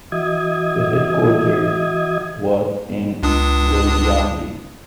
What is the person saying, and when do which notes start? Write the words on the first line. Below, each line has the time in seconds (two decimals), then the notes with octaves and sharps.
The headquarters was in Viljandi.
0.12 E3 F#4 D#5 E5 D#6 G#6
3.23 C#2 D4 D#6